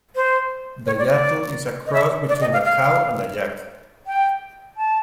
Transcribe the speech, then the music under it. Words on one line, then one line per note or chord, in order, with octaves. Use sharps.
The yattle is a cross between a cow and a yak.
C5
C#5
D5
D5
D#5
E5
D5
D#5
F5
F5
G5
A5